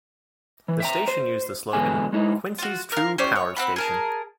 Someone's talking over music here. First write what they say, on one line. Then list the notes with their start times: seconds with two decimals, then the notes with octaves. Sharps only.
The station used the slogan "Quincy's True Power Station".
0.68 E3
0.80 E5 G5 A#5
1.08 C5
1.73 E2 B2 D3 G#3 G#5
2.13 G#3 D#4 E4
2.58 F4 F#4
2.92 A#4 F5
3.18 C#4 G4 C5 D5
3.36 C#5
3.57 C4 F#5 B5
3.76 G#4 A#4 A5